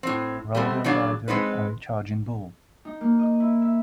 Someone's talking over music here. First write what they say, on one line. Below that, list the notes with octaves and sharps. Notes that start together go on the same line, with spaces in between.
Rodeo rider on charging bull.
A2 C4
G3 A3 B3 C4
C#3 F#3 D4 F5
G#3 C4 D#4 B4
D#4
A#3
D#5
E4
E5